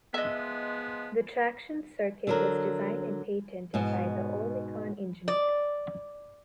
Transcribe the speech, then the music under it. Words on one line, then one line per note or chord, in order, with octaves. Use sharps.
The traction circuit was designed and patented by the Oerlikon engineers.
F3 G#3 B3 D#5 E5
D3 F#3 A#4
G#2 B2
D5